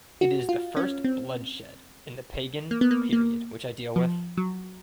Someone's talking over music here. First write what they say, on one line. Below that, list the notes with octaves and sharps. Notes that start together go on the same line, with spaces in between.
It is the first blood shed in the pagan period which I deal with.
F#4
F4
C#4
C4
A#3
B3
A#3
A#3
F3
F#3